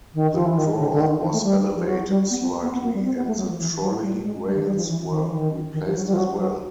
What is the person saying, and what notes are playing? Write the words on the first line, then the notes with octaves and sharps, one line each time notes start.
The draw was elevated slightly and the trolley rails were replaced as well.
D#3
F3
E3
D#3
D3
D3
D#3
D#3
E3
A3
G3
F3
F#3
G3
B3
C4
B3
B3
A#3
G3
C4
B3
A3
F#3
F3
E3
F#3
G3
G#3
G3
D#3
G3
F3
E3
D#3
E3
D#3
D#3
F3
F#3
G3
F3
F#3
F#3